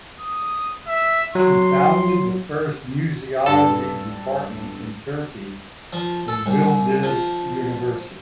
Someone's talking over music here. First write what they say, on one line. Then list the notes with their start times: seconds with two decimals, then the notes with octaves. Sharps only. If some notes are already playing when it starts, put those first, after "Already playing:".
She founded the first Museology department in Turkey in Yildiz University.
0.20 D#6
0.87 E5
1.35 F#3 C6
3.46 G2 A4
5.93 F3
6.28 A4
6.46 C2
7.03 F3